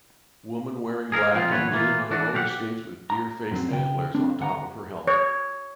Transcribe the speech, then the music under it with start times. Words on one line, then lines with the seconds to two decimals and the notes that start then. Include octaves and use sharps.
Woman wearing black and kneeling on rollerskates with deer face antlers on top of her helmet.
1.12 G#4 A#4 D#5 F5
1.34 F3 C4 D4 D#4 F4
1.50 E2 A#2 D3 B4 C#5
1.72 E3 A#3 F4
2.10 E3 D4 F#4
2.33 B1 G4 F5 F#5
3.10 A#5
3.51 F#2 F#3 C4
3.71 C#3 G5
4.15 C4 D4
4.41 D2 F#5 G#5 A#5
5.08 C#5